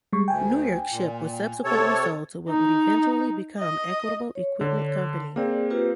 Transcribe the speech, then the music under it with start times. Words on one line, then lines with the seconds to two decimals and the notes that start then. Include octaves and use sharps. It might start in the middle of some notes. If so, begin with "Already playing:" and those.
New York Ship was subsequently sold to what would eventually become Equitable Equipment Company.
0.13 G3 G#3 C#6
0.28 D2 G5 G#5
0.91 A#2
1.64 C3 A4 C#5
2.49 D#4
3.59 D#5
4.35 C#5
4.61 D3
5.36 A#3 C4 G#4 D5
5.70 F4 G4 B4